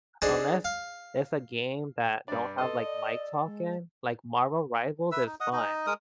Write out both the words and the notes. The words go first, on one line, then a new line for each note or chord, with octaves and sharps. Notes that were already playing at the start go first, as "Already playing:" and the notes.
unless it's a game that don't have like mic talking, like Marvel Rivals is fun,
D4 D#4 G#4 C5
F5
G2 D4 D5
A4 B4 D#5 C6
D5
G#3
B4 E5 E6
D#4
D#5 F#5 D#6
D#4 D#5
G#3 A#4 D#6